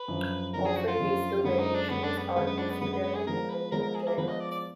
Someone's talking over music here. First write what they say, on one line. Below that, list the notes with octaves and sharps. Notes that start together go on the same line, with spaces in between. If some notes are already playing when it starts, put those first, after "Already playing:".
Often these two variations are used together to heighten a climax.
Already playing: B4
F#2 D3 F3
F#2 D3 F3 A#4
G#4
F#4
F4
F#2 D3 F3
F#2 D3 G#3 B3
D#4
D4
F#2 D3 G#3 B3
D4
B3
F#2 D3 G#3 B3
B3
D4
B3
F#2 D3 G#3 B3
B3
B3
G#4
F3 G#3 B3 A#4
B4
F3 G#3 B3 A#4
A#4
G#4
A#4
F3 G#3 B3 B4
D#5
D5
D5